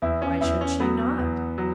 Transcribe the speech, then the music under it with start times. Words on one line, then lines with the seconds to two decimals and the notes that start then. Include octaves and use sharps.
Why should she not?
0.02 E2 E4
0.22 C#4
0.41 E2 E4
0.61 C#4
0.80 F#3 B3
1.19 E2
1.58 F#3